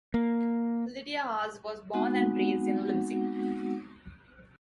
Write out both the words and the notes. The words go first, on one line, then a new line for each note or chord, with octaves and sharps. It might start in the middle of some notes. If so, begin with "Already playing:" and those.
Lydia Haase was born and raised in Leipzig.
A#3
G#3 B3 C4 D#4 F#4 F#5